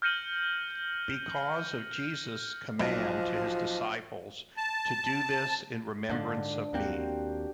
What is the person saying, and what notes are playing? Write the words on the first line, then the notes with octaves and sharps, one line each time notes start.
Because of Jesus' command to his disciples to Do this in remembrance of me.
F6 G6 A#6 C#7 D#7 F#7
B1 F3
A5
G#2 D3 D4 F4
D#2 A#3 C4 F#4 G4 G5